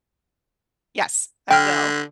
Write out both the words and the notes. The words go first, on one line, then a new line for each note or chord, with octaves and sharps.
Yes, I will.
D3 G5 F6